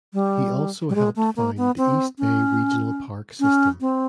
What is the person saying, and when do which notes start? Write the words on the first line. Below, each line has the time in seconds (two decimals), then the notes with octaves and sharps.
He also helped found the East Bay Regional Park system.
0.14 G3
0.90 G3
0.95 G#3
1.16 A3
1.36 A#3
1.57 B3
1.78 C4
2.18 C#4
3.40 C#4
3.81 C4